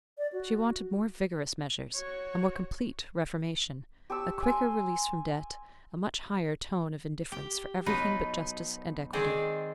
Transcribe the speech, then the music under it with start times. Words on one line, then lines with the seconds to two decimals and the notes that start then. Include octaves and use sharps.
She wanted more vigorous measures, a more complete reformation, a quicker release from debt, a much higher tone of indifference for everything but justice and equity.
0.18 D5
0.33 F#4
1.95 F#4 C#5
4.10 G4 A5 C#6 E6
4.43 G#5 C6
7.32 G4 G5
7.86 B2 F#3 B3 D#4 F4 B4
9.13 D#3 G#3 C4 G#4 C5 D5